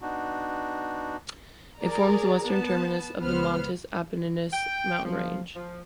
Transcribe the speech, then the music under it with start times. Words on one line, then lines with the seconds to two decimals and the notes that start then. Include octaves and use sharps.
It forms the western terminus of the Montes Apenninus mountain range.
0.01 B3 D4 D#4 F#4
1.81 G#4 A#4 D5 A#5
2.46 B3 A5
3.19 C#2 B3 B4 C5 F6
4.53 G5
5.04 F3
5.55 F3